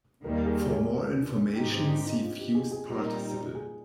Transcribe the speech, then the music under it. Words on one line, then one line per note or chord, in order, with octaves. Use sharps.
For more information see fused participle.
D#2 D#3 G3 A#3 A#4
G#4
G#4
A#4
D4
G#2 D#3 G#3 D#4 G4
C4
D4
D#4
F4
G4
G#4
G#4
A#2 G3 C4 D#4 F4 A#4
G#4